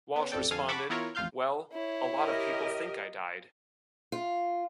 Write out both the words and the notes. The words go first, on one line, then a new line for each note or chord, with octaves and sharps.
Walsh responded: Well, a lot of people think I died.
B3 C#4
A1 F2 C3 A4 D5 G5
F2 D3 A4 F5 G#5 D#7
F#5 A5 B5 C#6 D6
E3 B3 E4 F4 A#4 C#5
A1 F2 F4 F5 F6 G6
E4 C#5
G4 A#4 D#5
F4